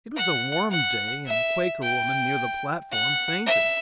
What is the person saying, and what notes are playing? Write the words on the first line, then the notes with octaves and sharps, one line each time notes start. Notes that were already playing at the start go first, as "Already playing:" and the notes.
It was a warm day and a Quaker woman near the platform fainted.
F#5
F#5
E5
G5
F#5
E5